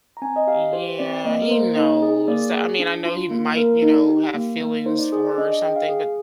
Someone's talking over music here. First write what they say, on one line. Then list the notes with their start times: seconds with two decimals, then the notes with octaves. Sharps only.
Yeah he knows, I mean, I know he might, you know, have feelings for her or something, but
0.17 A#5
0.22 C4 G#5
0.36 D#5
0.47 G4 F5
0.73 G4 C5
0.87 C5
0.99 C4 D5
1.25 A#3 D#5
1.42 A#4
1.51 A#3 C5
1.76 D#4 D#5
2.02 G#4
2.28 A#3 D5
2.54 G#4
2.79 D4
3.05 F4
3.31 A#3
3.57 A#3 A#4
3.82 D#4
4.09 G4
4.34 A#3
4.61 A#3
4.86 D#4 C5
4.99 D5
5.12 G#4 C5
5.24 D5
5.38 D4 D#5
5.51 D#5
5.63 G#4 G5
5.76 F5
5.89 G#4